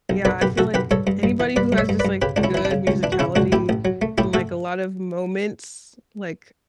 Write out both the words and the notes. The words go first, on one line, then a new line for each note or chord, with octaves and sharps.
Yeah, I feel like anybody who has just, like, good musicality and, like, a lot of moments, like
B1
B1 B4 D5
B1 G4 B4
B1 F#4 A4
B1 G4 B4
G2 A4 C#5
G2
G2
E3
G2 B4 D5
G2
C#5 E5
G2
B4 D5
G2
C#3 G4 B4
C#2 D4
C#4 E4
E3 E4
D4
C#3
C#2 C#4
E3 D4
F#4
C#3 C#4 E4
C#2 D4 F#4
A1 E4 G4
A1
F#3
A3
A2 E4 G4
A3 F#4 A4